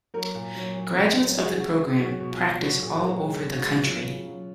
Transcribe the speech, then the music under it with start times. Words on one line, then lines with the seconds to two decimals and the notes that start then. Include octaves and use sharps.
Graduates of the program practice all over the country.
0.14 F#3 A#4
0.35 A#2
0.55 F#3
0.76 F#3
0.96 C#3
1.17 F#3
1.37 G#3 F#4
1.47 G#4
1.55 C#3 F#4
1.69 G#4
1.79 G#3
2.00 F#3 F#4
2.20 B2
2.30 F4
2.40 F#3
2.61 F#3 F#4
2.82 A#2 G#4
3.02 F#3 A#4
3.23 G#3 G#4
3.43 B2
3.54 F#4
3.65 G#3
3.85 F#3 F4
4.05 C#3
4.26 F#3